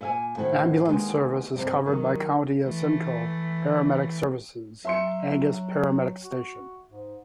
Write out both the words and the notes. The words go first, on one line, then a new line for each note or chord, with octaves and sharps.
Ambulance service is covered by County of Simcoe Paramedic Services Angus Paramedic Station.
A#2 E5 G#5
A2 D#3 F#4 C5 F#5
D#2 G#3 B3
G2 C3 G3
D#3 F#3
E3 A3
F#3 E5 C6 C#7
F#4
G#2